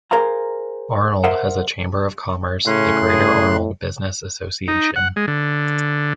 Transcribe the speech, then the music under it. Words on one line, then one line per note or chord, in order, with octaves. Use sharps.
Arnold has a chamber of commerce, the Greater Arnold Business Association.
G#4 A#4 C5 F5 A#5
A#4 C5 D#5 E5 F#5
A2 C#3 C#4 C6 F#6
G#4
D#4
F#5
G#3
D3